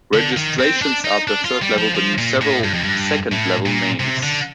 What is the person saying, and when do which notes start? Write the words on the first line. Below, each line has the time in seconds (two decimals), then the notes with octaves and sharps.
Registrations are at the third level beneath several second level names.
0.13 D3
0.37 D#3
0.59 C4
0.82 D4
1.05 D#4
1.28 D4
1.45 F4
1.62 G3
1.78 F3
1.95 F3
2.18 A#2
2.41 A2
2.64 G2
2.74 F2
2.83 G2
3.32 A2
3.66 A#2
4.00 C3
4.23 D3